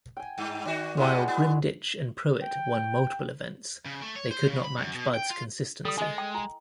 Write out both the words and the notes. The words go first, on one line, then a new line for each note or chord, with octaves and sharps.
While Grimditch and Pruitt won multiple events, they could not match Budd's consistency.
G5 G#5
G2
D#3 F#4 D5
G2 C3 G#3 E4 F#4
B3
G5
C#3
A3
C#5
C5
C#3
B5
F#2
B2
G5
F4
G3 A4 D#6
G#3 D#5 G#5
G5
E4